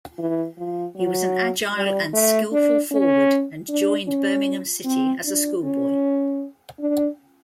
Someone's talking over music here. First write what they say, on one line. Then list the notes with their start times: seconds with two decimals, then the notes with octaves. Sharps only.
He was an agile and skilful forward and joined Birmingham City as a schoolboy.
0.18 E3
0.58 F3
0.96 F#3
1.75 G3
2.13 A3
2.52 D4
2.92 C#4
3.68 D4
4.08 C#4
4.85 C4
5.24 D4
5.63 C#4
6.80 D4